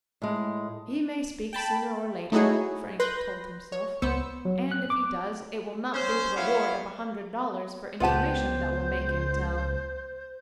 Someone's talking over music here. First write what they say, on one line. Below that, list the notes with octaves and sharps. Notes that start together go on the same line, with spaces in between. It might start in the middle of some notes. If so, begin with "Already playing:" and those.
"He may speak sooner or later," Frank told himself; "and if he does, it will not be the reward of a hundred dollars for information that will make him tell."
A2 G#3
G5 A5 B5
A3 D#4 E4 F#4 G#4 C#5
B4 C6 F#6 G6 A#6
C#5
C#2 B3 C5 E6 C#7
F#3
F#6
D6
C#4 C5
B3 E4 F4 C#5 F5
C#2 B3 F4 G4 C5 F#5 A5